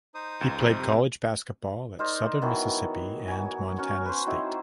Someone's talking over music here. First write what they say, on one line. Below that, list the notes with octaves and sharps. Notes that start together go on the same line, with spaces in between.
He played college basketball at Southern Mississippi and Montana State.
D#4 C5 D#6
C#2 E7
F2 C3 G3
C3
D#4 A#4 C5 D5
D#3 E3 F#3 B3
F#3 G#5
C#4 F#4 C#5
B4 C5
F#3 C4 D#4 E4